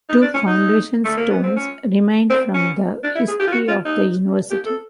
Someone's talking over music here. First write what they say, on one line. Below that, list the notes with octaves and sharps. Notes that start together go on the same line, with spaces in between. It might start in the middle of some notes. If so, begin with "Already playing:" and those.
Two foundation stones remain from the history of the university.
D#4
D4
C#4
D#4
A3
A#3
B3
C4
C#4
C4
C#4
D4
E4
G#4
G4
F4
F#4
F4
D#4
G4
A4